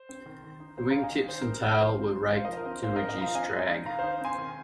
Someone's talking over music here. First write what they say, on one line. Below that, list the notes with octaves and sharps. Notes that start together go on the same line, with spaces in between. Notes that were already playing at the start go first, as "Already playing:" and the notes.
The wingtips and tail were raked to reduce drag.
Already playing: C5
C4
D#3
D#3
D#4
C4 C5
D#3 F5 A#5
D#5 G#5
D#3
D#4 C5
A#4
C4
A#4
D#3
F3 C5
C4
G#3
D#4 C5 F5
F3 A#4 D#5
A#4
C4
G#3 C5 F5
A#4 D#5
D#4
A#4 D#5
F3 F5 A#5
C4 D#5 G#5
G#3
D#4
D#3 F5 A#5
D#4 C5 F5
C4 G#5 C6
D#3